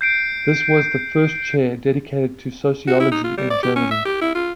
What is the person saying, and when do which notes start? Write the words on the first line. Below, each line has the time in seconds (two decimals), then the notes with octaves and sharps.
This was the first chair dedicated to Sociology in Germany.
0.01 G6 C7 D7
2.88 F#4
3.00 E4
3.11 D#4
3.24 F4
3.37 G3
3.50 D5
3.63 G4
3.76 C#4
3.91 E5
4.05 G4
4.21 E4
4.35 F4